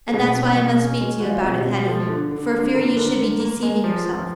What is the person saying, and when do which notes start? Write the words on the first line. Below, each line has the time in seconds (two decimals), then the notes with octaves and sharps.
And that's why I must speak to you about it, Hetty, for fear you should be deceiving yourself.
0.09 A4
0.13 B2 G#4
0.35 B2
0.57 B2
0.79 C#4
1.01 G#3 F#4
1.20 G#3 F#4
1.30 F4
1.44 B2
1.59 G4
1.66 B2
1.88 F3 A4
2.09 D3
2.31 D3
2.54 D3
2.75 D3 A#4
2.87 B4
2.96 D3 A#4
3.18 D3
3.40 A#3
3.63 G#3
3.84 F3
4.05 F3